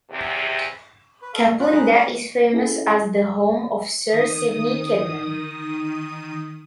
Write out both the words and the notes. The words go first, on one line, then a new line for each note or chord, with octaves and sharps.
Kapunda is famous as the home of Sir Sidney Kidman.
E2 C3
B4
A4 F5
F2
F4 B5 F#6
G#3 D#4
C#4 A#4 D5
C#4 E4 G#4 A4
D#3 D#6